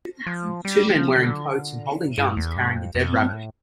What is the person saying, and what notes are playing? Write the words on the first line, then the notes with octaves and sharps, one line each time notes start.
Two men wearing coats and holding guns carrying a dead rabbit.
F3
G3
F3
D3
A2
G2
E2
G2
F2
F2
G2
A2